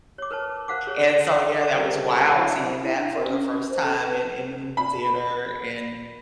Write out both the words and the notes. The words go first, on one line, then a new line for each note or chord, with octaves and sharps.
And, so, yeah, that was wild seeing that for the first time in in the movie theater. And,
C#5 D6
A#4 B4 C#5 A5
A#4 C5 F5 F#5 D6
G#4 C#5
C#5
C#3 G3 C4 F4 A4 A#4
F#3 D4 E4
E4
D4
A#4
C#4
C#4
C5
A4
B4
B5